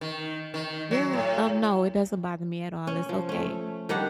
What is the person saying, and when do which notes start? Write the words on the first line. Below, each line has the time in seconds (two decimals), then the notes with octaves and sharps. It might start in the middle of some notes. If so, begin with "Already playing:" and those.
Yeah, um, no, it doesn't bother me at all, it's okay.
0.01 D#3
0.54 D#3
0.91 F#3
1.13 A2
2.87 C#4
3.09 F3
3.29 A3 C#4
3.89 D#3 G3 D4 F#5